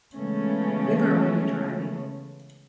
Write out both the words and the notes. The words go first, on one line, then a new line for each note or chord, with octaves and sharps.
We were only driving.
C#3 E3 G#3 A3 B3 C#4